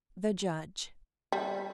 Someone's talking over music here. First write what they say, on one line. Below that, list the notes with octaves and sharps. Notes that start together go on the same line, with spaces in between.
The Judge.
G3